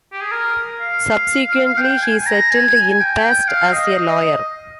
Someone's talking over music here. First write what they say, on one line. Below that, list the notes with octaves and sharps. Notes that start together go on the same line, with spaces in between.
Subsequently he settled in Pest as a lawyer.
G4
G#4
A#4
F5
G5
G#5
A#5
G#5
G#5
G5
G5
F5
F5
D#5
D#5